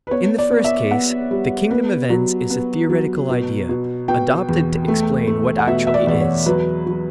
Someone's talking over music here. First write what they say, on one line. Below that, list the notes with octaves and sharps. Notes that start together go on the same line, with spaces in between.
In the first case, the kingdom of ends is a theoretical idea, adopted to explain what actually is.
B4
B3 C#5
D5
B3
E5
B3 F#5
G3
B3
F#3
B3
F#3
B2
B2
B2 G5
E2
A3
A3
F#5
B2 E5
E5
D5
E2 D5
C#5
F#3 B4
F#3